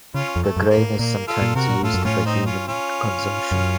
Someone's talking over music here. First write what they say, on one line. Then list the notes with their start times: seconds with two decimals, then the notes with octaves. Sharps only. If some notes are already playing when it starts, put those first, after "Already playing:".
The grain is sometimes used for human consumption.
0.14 C#3 C#4 F4
0.36 F2
0.43 A3
0.56 F#2
0.70 A#3
0.77 A2
0.99 A#2 A#3
1.28 F4 A4
1.42 A#2
1.55 C3 F#4 A#4
1.69 A#2
1.83 A2 F4 A4
1.94 F#2
2.04 A2 C#4 F4
2.25 C4 D#4
2.46 C#4 F4
2.67 C#4 F4
3.51 F#2